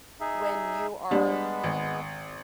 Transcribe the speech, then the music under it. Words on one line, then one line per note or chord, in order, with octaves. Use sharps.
when you are
D#4 G#4 E5
G3 G#3 B3 D4
G#1